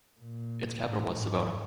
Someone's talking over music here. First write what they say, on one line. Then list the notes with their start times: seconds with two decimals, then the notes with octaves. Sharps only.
Its capital was Savona.
0.20 A#2
0.86 A2
1.20 G#2